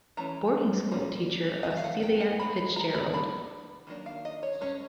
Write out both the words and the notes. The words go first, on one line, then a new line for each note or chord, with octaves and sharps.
Boarding-school teacher of Celia Fitzgerald.
E3 A3 C#4 A#5
D#3 G3 A#3 C#4
D#5
F3 A3 C4 E5
F5
F#5
G5
F#5
G#3 B3 D#4 B5
B5
A#5
B5
F#3 B3 D4 B5
D#3 F#3 A#3 D4
F5
D#5
C#5
G#3 C#4 C#5